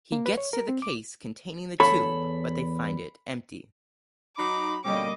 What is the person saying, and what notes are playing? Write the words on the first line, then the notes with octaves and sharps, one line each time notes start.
He gets to the case containing the tube but they find it empty.
A#3
B4
C#5
A#4
C4
D6
E2 A4 C#5 B5
F#3 D#4 B5 D6
B2 D3 G3 A#3 C#4 D#5 G5 D6